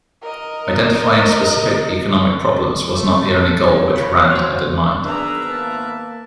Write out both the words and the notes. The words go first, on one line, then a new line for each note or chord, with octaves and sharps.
Identifying specific economic problems was not the only goal which Rand had in mind.
A#4 D#5
A3
A#2 A4
C3 G3 B3 C#5
F4 B5
F#4 C5
G#1 B3 D4 G#4 A#4 B4 E5 A#5
A#3 A5